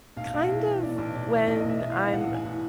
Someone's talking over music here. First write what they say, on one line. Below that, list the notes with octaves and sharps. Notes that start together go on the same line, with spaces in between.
Kind of when I'm
B1 F5
B1
A2 E5
E3
B1 D5
B1
A2 D5
E3
B1 D#5
D#5
B1
E5
A2
F5
E3
B1 F#5
B1 G#5
A2